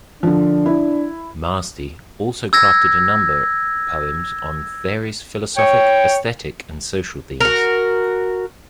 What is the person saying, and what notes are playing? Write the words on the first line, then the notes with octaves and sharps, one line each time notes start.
Maasti also crafted a number poems on various philosophic, aesthetic and social themes.
D3 F3 D4
E4
E6 G#6 A#6
C#5 G5
F#4 A#4